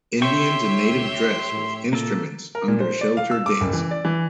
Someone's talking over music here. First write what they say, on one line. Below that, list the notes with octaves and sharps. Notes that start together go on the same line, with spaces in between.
Indians in native dress with instruments under shelter dancing.
G4 C#5 E5 G5 C6 C#6
D2
A2
A#2 A#3 A4
A#4
A#2
C5
D5
F5
E6
D6
F#1
E3
D5
E3